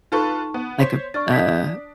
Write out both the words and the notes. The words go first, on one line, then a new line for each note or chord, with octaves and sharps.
like a, uh,
D#4 F4 A4 B4 A5 C#6
B3
C5 C#5 B6
D4 C#6 F6 A6
D#6 B6